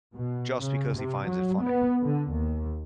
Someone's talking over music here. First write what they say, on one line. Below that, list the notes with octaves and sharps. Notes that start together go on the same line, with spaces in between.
just because he finds it funny.
B2
C#3
C3
F#3
B3
D3
D#2